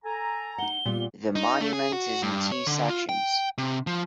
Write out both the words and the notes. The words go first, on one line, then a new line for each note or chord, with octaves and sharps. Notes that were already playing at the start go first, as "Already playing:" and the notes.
The monument is in two sections.
A4 G#5 A#5
D#4 F#5 G7
A#2 G3 A#3 B3
D#4
A3
G#4
F#4
G2
C#5
D3
F4
G5
C3
F3